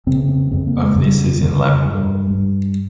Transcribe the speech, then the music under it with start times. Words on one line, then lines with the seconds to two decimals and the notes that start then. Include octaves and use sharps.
Of this is in Labrador.
0.07 F2 C#3 C4
0.29 C4
0.51 F2 C#3 C4
0.67 A#3
0.82 G#3
0.96 F2 C#3 G3
1.41 F2 C#3
1.85 G2
2.30 G2